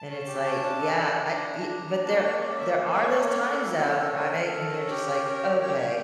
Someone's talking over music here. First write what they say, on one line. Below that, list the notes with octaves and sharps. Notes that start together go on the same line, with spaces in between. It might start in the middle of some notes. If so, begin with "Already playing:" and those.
and it's like, "Yeah, I e" but there there are those times, though, right, when you're just like, "Okay,"
Already playing: A5
C#4
G4
C#4
D4
A4
D4
D4
D4 A#5
D4
D4
D4
A#3 A5
A#3 C#5
C#4 D5
A#3 E5
A#3
C#4 C#5
A#3 C#5
A#3 C#5
A4
E4
C#4
C#4
A4 A#4
A4
A4
C#4
G4
C#4
C#4
G4
G4 C#5
G4